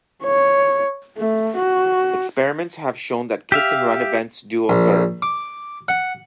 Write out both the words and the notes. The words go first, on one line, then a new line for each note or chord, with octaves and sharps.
Experiments have shown that kiss-and-run events do occur.
C#5
A3
F#4
G4 E5 F5
A#1
D6
F#5